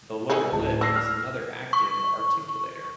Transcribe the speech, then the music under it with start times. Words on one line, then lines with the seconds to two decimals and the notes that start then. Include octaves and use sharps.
The lower lip is another active articulator.
0.30 D#3 G#4 A4
0.52 D1 A5
0.81 D4 E6 A#6 C7
0.96 E6 F6
1.73 C#6